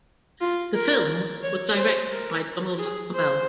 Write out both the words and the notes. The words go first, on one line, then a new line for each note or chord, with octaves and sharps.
The film was directed by Donald Cammell.
F4
A#4
C#5
C5
A#4
G#4
C5